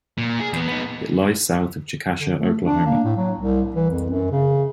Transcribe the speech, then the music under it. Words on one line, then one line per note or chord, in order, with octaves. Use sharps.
It lies south of Chickasha, Oklahoma.
A#2
G#4
E2 B3
B3 D#4
D3
A3
D4
A#3
A2
F#3
C2
E3
F2
F#2
C#3